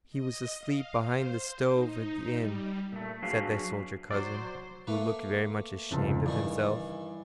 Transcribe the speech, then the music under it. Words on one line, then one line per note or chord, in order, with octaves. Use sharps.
"He was asleep behind the stove at the inn," said the soldier cousin, who looked very much ashamed of himself.
D#5
F5
C5
D#4
G3
A#2 A3
F#3 D4 F#4 G#4 B4 F5
F#3 C5 D5
A3 A#3 B4
F1 C#2 A5
G2 D#3 E3 G#4 D5